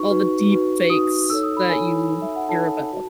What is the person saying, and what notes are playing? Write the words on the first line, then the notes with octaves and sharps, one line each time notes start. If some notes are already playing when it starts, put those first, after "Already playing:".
All the deep fakes that you hear about.
Already playing: D#4 F#4 B4 C#6
D#4 F#4 B4
D#4 F#4 B4
D#4 F#4 B4 D#6
D#4 A4 C#5 E6
D#6
B5
D#4 A4 C#5 G#5
D#4 A4 C#5
E5
F#5
D#4 A4 C#5 A5
F#4 B4